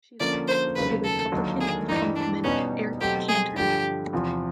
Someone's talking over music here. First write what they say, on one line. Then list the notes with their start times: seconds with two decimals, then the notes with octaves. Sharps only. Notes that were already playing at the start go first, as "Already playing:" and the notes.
She lost to the Republican incumbent, Eric Cantor.
0.20 D3 F3 A#3 C#4 D5
0.48 C5
0.76 F1 D#2 C#3 F#3 B4
1.04 A4
1.32 D#2 D3 F#3 A#3 D#4
1.61 G#4
1.88 G2 E3 G3 D#4
2.16 D4
2.44 B2 G3 B3 C#4 D#4
3.00 B2 F#3 A3 C4 G4
3.29 G#4
3.56 G2 D3 F3 G4
4.13 E2 C3 F3